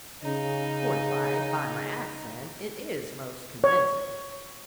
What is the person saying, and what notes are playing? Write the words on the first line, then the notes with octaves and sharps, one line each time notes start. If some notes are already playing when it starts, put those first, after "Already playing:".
Fortified by my accent, it is most convincing.
C#3 D#4
C#5